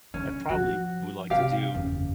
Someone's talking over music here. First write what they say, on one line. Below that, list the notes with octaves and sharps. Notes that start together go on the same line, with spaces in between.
I probably would like to do
D3 C#4
F3 F#4
C3 G4 F5
F#1 E2